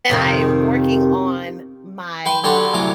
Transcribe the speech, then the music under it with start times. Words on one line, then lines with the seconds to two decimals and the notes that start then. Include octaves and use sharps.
I'm working on my
0.09 F2 C3 D#3
2.26 B4 G5 C6
2.44 D3 F#3 D4 G4 B4 C6
2.73 D2 C3 E3 F#3 D6